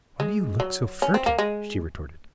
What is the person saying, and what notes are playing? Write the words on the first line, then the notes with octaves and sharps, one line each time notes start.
"Why do you look so furtive?" she retorted.
G#3
F#3
C#4
C4
A#3
G#3